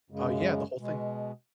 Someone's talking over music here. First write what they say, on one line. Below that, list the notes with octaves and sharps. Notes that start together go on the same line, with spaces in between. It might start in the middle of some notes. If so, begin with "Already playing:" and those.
Uh, yeah, the whole thing
F#2 C#3 G#3
B2 G#3